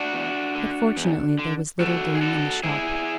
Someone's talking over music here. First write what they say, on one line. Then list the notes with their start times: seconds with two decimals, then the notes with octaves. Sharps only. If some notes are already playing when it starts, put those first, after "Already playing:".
But fortunately there was little doing in the shop.
Already playing: D4 F#4
0.13 E2
0.55 D3
0.96 E2
1.39 D3
1.80 E2 F#4 A4
2.15 G#4
2.21 D3 F#4 A4
2.63 G#2 E4 G#4